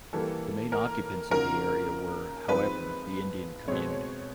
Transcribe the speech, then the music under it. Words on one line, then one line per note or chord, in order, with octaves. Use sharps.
The main occupants of the area were, however, the Indian community.
E3 G3 A#3 A4
A#4
C#3 F3 A#3 D#4 F#4 A#4
F3 G#3 C4 D#4 B4
B2 G#3 C4 C#5